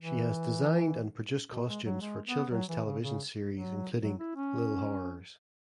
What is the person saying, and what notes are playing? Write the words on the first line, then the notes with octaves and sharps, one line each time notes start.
She has designed and produced costumes for children’s television series including L’il Horrors.
E3
B2
G#3
F#3
G#3
B3
F#3
E3
C#3
C#3
F#3
F#3
E4
C#4